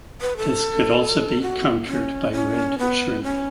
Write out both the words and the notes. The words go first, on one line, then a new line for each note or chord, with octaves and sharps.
This could also be countered by Red Shrimp.
B4
A4
F#4
C#4
C#4
B3
C#4